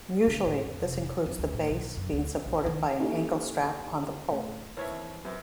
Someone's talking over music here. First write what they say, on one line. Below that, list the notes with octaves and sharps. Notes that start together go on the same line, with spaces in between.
Usually this includes the base being supported by an ankle strap on the pole.
D3
A2
F2
F1
F2
D2
A2
B1
F#2
D2
A#1
D#3
A#3 C#4 D#4 E4 G4 A4
A2 C#3
D#2 E3 C4 C#4 C#5 E5
F#2 B3 C4